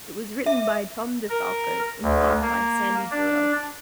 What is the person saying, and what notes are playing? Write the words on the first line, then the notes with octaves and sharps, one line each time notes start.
It was written by Tom DeFalco with art by Sandy Jarrell.
E5
A#4
D2
A#3
D4